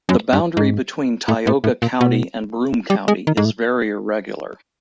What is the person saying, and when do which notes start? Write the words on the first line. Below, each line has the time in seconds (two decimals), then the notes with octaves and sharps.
The boundary between Tioga County and Broome County is very irregular.
0.09 F#2
0.33 G2
0.57 G#2
1.28 A2
1.47 A2
1.64 A2
1.82 A#2
2.01 B2
2.90 G3
3.08 G#3
3.27 D#3
3.37 G#2
3.45 A2